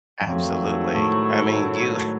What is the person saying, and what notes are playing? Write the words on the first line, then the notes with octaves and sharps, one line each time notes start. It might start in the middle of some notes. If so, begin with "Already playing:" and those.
Absolutely. I mean, you
F#2
F2 G#2 D#3 F#3 A3
A2